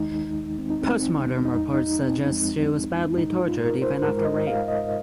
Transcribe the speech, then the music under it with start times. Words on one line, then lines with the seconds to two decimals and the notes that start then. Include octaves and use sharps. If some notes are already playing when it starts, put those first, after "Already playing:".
Postmortem report suggests she was badly tortured even after rape.
Already playing: D#2 D#3 G#3 D#4
0.59 D#2 D#3 G#3 C4
0.70 D#4
0.82 C4
1.45 F2 F3 G#3 D#4
1.74 D#4
2.03 C4
2.31 F2 F3 G#3
3.17 G#2 G#3 D#4
3.39 F4
3.60 A#4
3.82 C5
4.03 G#2 G#3 A#4
4.25 D#5
4.47 F5
4.68 D#5